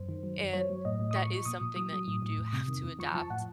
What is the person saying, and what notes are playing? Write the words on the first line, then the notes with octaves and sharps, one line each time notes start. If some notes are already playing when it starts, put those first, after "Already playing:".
And, that is something that you do have to adapt,
Already playing: F#2 C5
D#3
F#3
F#2
F#3 C#5
F#3
A2 D#5
A2
D#6
F3 C#6
F3
A#2 D#6
A#2
F#3 D#6
F#3
A2
A2
F2
C3
D#3
F2
F3 C#6
F3 A5
A2 F#5